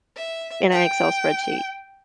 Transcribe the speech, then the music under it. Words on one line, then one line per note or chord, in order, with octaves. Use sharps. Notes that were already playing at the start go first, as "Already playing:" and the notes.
in an Excel spreadsheet?"
E5
G5